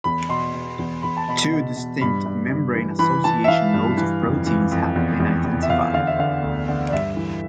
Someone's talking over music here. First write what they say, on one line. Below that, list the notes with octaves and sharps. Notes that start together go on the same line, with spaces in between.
Two distinct membrane-association modes of proteins have been identified.
E2 B5
B2 C6
B2
E2
E2 B5
A5
B2 B5
B2
B2
G2 B5
G2
G2
E3
E3 B5
E3 A5
E5
E3 F5
G2
E3
F2
E3
F2
E2
E2
E2
E5
E2 F5
D3 F5
E5
D3 F5
D2
D3
D5
G2 E5
E3